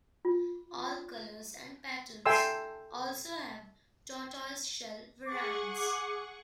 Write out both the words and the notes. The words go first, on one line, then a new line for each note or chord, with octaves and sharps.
All colours and patterns also have tortoiseshell variants.
F4
A4 E5 G5 G#5 C6 E6
G#4 F#5 C#6 D6